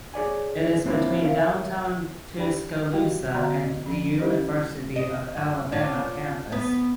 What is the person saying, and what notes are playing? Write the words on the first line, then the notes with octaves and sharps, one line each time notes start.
It is between downtown Tuscaloosa and the University of Alabama campus.
G#4 C#5 D5 G#5
F#3 A#3 C4 D4 E4 F4
A#4 C#5 E5 F5
D4 G4 D5 G5 B5
E3 G3 F#4 G4 D#5 G5
D3 B3 F#4 D5 A#5 C6
D#5
F3 C#4
G3 C#4 E4 G4 C5 D#5
D#5
F#2
D4 F4 C#5
B3